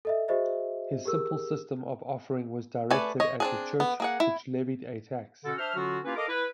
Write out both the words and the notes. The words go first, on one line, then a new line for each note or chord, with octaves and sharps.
His simple system of offering was directed against the church which levied a tax.
A4 D#5 E5
F#4 G#4 C5 D#5 E5
G4 G#4 A#4 E6
A3 B4 D5 G#5
C#5 D#5
C4 D4 G#4
B3
A#3 G#4 F#5
E4
B2 D3 C#4 F#4 A4
D4 C5 E5 F6
D3 F#3 C#4 F4 F#4
A#3 C#4 E4 F4 G4 B4
A4 A#4 D#5 F5 D6
E4 B4